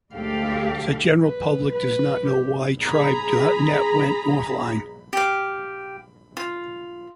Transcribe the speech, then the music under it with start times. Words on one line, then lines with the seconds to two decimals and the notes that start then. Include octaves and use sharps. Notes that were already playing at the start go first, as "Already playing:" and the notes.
The general public does not know why tribe dot net went offline.
0.14 D2 G#3 G4 A4 F5
1.22 B4
1.72 B4
2.26 G4
2.82 G#4 A#5 B5
5.13 G4 F5
6.37 F4